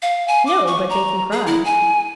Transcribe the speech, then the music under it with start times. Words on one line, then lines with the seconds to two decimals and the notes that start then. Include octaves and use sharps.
No, but they can cry.
0.02 F5
0.28 G#5
0.46 D6
0.67 C#6
0.89 A#5
1.32 G#4
1.47 E4
1.65 G#5